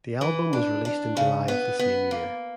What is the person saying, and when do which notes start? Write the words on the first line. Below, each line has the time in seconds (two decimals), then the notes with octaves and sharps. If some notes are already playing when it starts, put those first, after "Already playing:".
The album was released in July of the same year.
0.21 E3
0.53 D4
0.85 D4
1.17 C#3
1.48 B3
1.79 B3
2.11 A#3